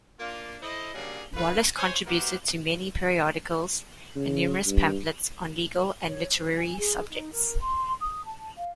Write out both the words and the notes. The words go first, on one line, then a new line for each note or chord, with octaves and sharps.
Wallis contributed to many periodicals and numerous pamphlets on legal and literary subjects.
A#3 D4 F4
E4 A4 C5 D#5
C#3 F#3 G3 A#3 D4 G#4
D3 A3 F4 B4
C5 C#5 G#5
B3 E4 F#4 G4 A#4 C5
C#3
G2
C#5
C5
G#5
G#4
D#4
A#4
C6
D#6
A5
F5